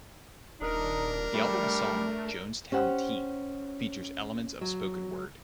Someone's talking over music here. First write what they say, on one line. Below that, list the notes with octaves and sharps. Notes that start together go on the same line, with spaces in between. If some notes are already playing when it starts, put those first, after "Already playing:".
The album's song "Jonestown Tea" features elements of spoken word.
D#1 D4 D#4 A#4
G3 A3
C#4 G4 C5 F#5
F#3